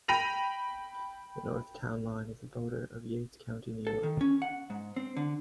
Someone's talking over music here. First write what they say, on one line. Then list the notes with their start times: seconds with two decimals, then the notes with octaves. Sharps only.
The north town line is the border of Yates County, New York.
0.08 G5 B5 A#6 D#7 F7
3.87 A4
4.03 D#3
4.21 C#4
4.42 F#5
4.70 G#2
4.96 C4
5.17 D3